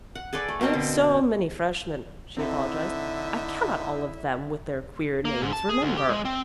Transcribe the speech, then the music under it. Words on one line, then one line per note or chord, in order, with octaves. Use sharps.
"I have so many freshmen," she apologized, "I cannot all of them with their queer names remember."
F#5
G#4 A4 B4 D5
A3
B2 A#3 C4 D#5
D3
D3 C4 D#4 E4 A4 E5
A#3
G#2
A5
G#4
D2
G4
G#3
C4